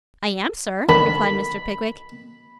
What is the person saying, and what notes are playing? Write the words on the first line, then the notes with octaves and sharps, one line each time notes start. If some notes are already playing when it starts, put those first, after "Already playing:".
'I am, sir,' replied Mr. Pickwick.
D3 D#3 D4 B5